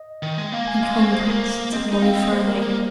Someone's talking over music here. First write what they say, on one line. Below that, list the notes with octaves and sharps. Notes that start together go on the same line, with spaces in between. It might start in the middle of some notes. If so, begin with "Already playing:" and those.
"Encumbrance," said Wally firmly.
Already playing: D#5
D#3
G#3
A#3 F5
G#5
G#3 F5
C4
A#3 C5
G#3
A#3 A#4
C4 D#5
D#4
C4 F5
D#5
A#3 C5
A#4
A#3